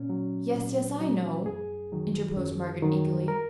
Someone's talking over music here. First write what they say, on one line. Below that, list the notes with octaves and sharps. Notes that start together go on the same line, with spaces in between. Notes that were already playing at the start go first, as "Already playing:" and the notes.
"Yes, yes, I know," interposed Margaret, eagerly.
Already playing: A#2 C#4
F#3
A#2
F#3
F#2 G#4
D#3 F#3
F#2
D#3 F#3
A#4